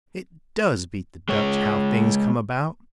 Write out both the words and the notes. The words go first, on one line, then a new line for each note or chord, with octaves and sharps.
"It does beat the Dutch how things come about!"
G#3 C#5